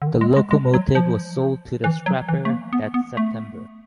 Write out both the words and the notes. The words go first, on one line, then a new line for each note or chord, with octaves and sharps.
The locomotive was sold to the scrapper that September.
D3
D#3
G#3
G#3
G#3
F#3
F3
E3
F#3
E3
A3
A#3
B3
B3
A3